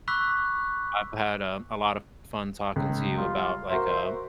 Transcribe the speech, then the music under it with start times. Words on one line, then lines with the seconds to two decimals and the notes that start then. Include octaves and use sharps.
I've had, um, a lot of fun talking to you about, like, um,
0.08 B5 C#6 D6 E6 F#6 B6
2.76 C#2
3.18 G3 F4
3.70 F#4 A#4 C5 E5